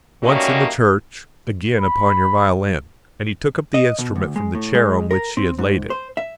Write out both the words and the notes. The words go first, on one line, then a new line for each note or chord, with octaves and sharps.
"Once in the church, again upon your violin," and he took up the instrument from the chair on which she had laid it.
D#3 F#3 G3 A3 A#3 C#4
B5
D#5
B2
D2
G#3
A2
G#3
A#4
C4
G#2
C5
E5